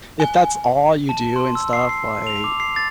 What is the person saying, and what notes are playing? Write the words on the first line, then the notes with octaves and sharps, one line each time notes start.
if that's all you do and stuff, like,
G#5
A5
C6
E6
C7
C7
F7
D6
C7
A6